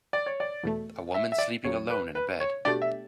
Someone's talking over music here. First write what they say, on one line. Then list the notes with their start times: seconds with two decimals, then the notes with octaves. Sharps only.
A woman sleeping alone in a bed.
0.13 D5
0.26 C#5
0.40 D5
0.63 E2 B2 A3
1.14 E5
1.32 E5
1.38 D5
1.64 E2 C#3 F#3 C#5
1.90 B4
2.15 B4
2.40 C#5
2.65 B2 A3 D4 G4 D5
2.82 E5